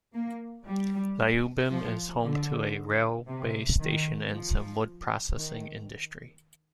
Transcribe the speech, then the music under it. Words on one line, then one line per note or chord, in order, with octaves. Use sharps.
Lyubim is home to a railway station and some wood-processing industry.
A#3
G3
F3
D3
C3
D#3
F3
D#3